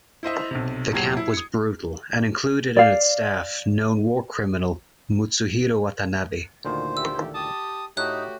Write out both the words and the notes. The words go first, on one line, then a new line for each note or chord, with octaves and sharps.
The camp was brutal and included in its staff known war criminal Mutsuhiro Watanabe.
E4 C5 D#5 E5
B1 C3
D#1 E2 F#3 G4 G#6 C7
E4
D#6 C#7
D5 F5
D2 A#2 D#3 C5
A3 G4 E6
G4 A5 D#6
A2 A3 D#4 F#4 G4 C#5 F#6